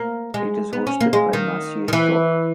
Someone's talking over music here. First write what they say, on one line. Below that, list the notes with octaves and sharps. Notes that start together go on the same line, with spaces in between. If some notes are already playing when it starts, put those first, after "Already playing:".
It is hosted by Maciej Rock.
Already playing: A#3
G#3
B3
C#4
A#3
G#3
D#3
D#3
E3